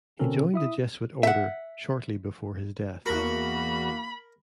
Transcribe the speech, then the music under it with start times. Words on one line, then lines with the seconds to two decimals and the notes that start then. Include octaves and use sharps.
He joined the Jesuit order shortly before his death.
0.19 B2 D3 C4 C#4 A4 A#4
0.54 E4 E5 D#6
1.23 E5 F#5
3.06 E2 A#3 F#4 A#4 B5